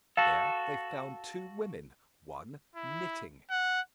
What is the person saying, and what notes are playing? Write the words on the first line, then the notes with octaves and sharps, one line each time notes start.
There, they found two women; one, knitting.
F#4 A4 F5 A5
E4
F#5